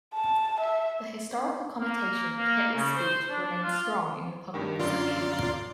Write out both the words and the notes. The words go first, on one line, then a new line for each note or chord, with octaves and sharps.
The historical connotation of Hitler's speech remains strong in the public perception.
A5
E5
A#3
A#3
C#3
C5
D4
F4
G2 D#3
F#2 D3 F4 D5 C6